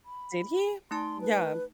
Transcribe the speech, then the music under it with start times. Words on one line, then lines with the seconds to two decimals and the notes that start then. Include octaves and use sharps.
Did he? Yeah.
0.05 B5
0.91 A3 D#4 A5 C6
1.21 B4